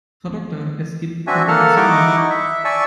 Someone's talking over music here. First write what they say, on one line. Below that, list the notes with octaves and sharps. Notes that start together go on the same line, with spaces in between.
Frau Doktor, es gibt Komplikationen.
C4 D4 F#4 E5 G#5
A#3 A4 F#5 A5 F6
D#4 E4 D#5 F#5 C#6 D6
E5
D5 E5 G#5 A5 C#6 E6